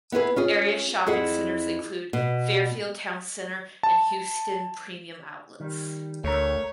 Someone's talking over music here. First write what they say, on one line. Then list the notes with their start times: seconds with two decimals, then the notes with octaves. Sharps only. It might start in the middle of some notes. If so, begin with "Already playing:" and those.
Area shopping centers include Fairfield Towne Center and Houston Premium Outlets.
0.12 B3 E4 G#4 B4
0.36 C#4 F4 G#4
1.07 F2 E4 G#4 F#5
2.13 B2
3.83 A5
5.60 D#3 G3
6.24 D2 A3 A#4 C#5